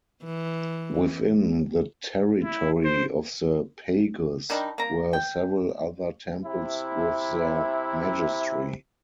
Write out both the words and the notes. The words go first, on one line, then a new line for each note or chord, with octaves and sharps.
Within the territory of the "pagus" were several other temples with their "magistri".
E3
E4
C5
D#3 G3 D4 D#4
A#3 A#5
G5
C3 E4